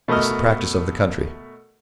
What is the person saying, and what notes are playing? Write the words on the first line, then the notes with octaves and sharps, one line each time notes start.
It's the practice of the country.
B2 A3 A#4 D#5 F6